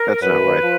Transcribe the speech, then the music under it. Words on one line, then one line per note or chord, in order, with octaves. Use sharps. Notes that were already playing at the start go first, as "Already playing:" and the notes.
That's not right.
Already playing: A#4
F#2 B4
F3